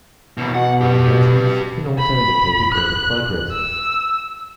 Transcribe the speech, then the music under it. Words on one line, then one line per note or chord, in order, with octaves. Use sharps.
High densities can also indicate a greater flood risk.
D#2 B2
B2 F#5
G4 B4
B5
F#6
E6